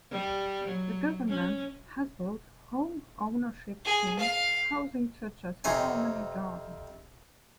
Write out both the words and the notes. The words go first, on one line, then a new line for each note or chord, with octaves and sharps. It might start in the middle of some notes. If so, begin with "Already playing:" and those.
The government has built Home Ownership Scheme housing such as Harmony Garden.
G3
F#3
C#4
G#4
F5
F2 C3 D#4 C#5 G#5